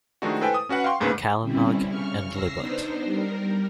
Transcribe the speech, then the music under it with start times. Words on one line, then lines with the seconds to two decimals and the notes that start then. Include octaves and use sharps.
Calinog, and Libot.
0.22 D#3 F3 G#3 A3 D4 F#4
0.41 E4 A4 B4 C5 G5 G#5
0.54 D#6
0.69 C#4 F#4 B4 F#5
0.84 F5 G5 C6 C#6
1.00 D2 G#2 C#3 A#3 B4
1.42 B2 D3 G3 C4 C#4 E4
1.88 C#3 C#6 F6
2.29 E6 A#6 C7
2.58 B3 D4 D#4 C5
3.04 G3 A#4